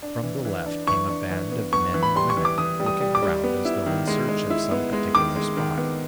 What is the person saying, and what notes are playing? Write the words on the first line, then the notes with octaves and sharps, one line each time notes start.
From the left came a band of men and women, looking around as though in search of some particular spot.
D4
E3
E3
D4
E3 C#6
D4
E3
B3
B3 C#6
E3
B5
G3 C6
C#6
E3
D6
E3 D#6
G3
D#6
G3
D6
G3
B3
E4
D#3
G#3
G#3
E4
B3
G#3
D#3 D6
G#3
D#3
B3